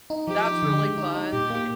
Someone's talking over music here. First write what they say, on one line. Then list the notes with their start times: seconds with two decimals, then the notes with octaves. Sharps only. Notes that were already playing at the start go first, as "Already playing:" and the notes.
that's really fun, eh
0.10 D#4
0.28 F3 G4
0.45 D#4
0.63 D3
0.80 G#3
0.98 D#4
1.14 D#4
1.32 A#2 G4
1.50 A#3